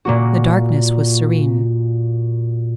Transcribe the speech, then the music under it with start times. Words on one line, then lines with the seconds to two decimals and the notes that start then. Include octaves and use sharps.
The darkness was serene.
0.05 A#2 A#3 F#4